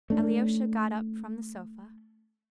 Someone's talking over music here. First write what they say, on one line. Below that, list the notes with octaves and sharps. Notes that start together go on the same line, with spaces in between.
Alyosha got up from the sofa.
A3 C#4 D4